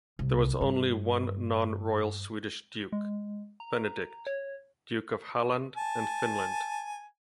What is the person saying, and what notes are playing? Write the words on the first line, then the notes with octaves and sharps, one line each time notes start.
There was only one non-royal Swedish duke, Benedict, Duke of Halland and Finland.
C2
G2
G#3
A#5
C#5
G#5 A5